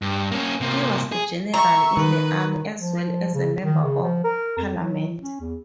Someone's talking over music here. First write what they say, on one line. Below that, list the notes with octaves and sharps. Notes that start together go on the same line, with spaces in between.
He was a General in the Army as well as a Member of Parliament.
G2
A#3 C#4
C3 A#3
G#4
E5 A#5 C#6
D#3 B4
F3
C#3
D#3
C#3
F3
A#4
F2
F#3
C#4
E2